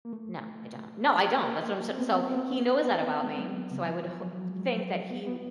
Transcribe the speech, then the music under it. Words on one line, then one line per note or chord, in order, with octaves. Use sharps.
No, I don't. No, I don't, that's what I'm so so he knows that about me, so I would ho think that he
A#3
A3
A#3
C4
B3
B3
C4
B3
B3
C4
B3
G#3
F#3
C#3
F3
F#3
F3
F#3
G#3
B3
B3